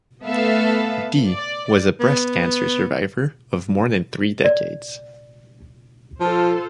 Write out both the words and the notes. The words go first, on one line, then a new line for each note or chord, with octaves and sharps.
Dee was a breast cancer survivor of more than three decades.
A3 B3 A4 B4 E5 F5
D5
B3
D5
F3 F4 A4 C5